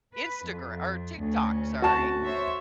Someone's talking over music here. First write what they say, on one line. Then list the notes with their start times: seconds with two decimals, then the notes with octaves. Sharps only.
Instagr or TikTok, sorry,
0.14 B4
0.47 F2
1.19 D2 C#4
1.82 F#4 A5
2.24 C5 C#5 E5